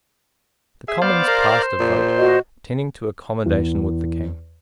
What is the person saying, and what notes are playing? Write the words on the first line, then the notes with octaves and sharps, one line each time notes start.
The Commons passed a vote tending to accommodation with the King.
G#4 E5
B3 C5 D5 F5
A#4
C5
A#2
F#4 D#5
E2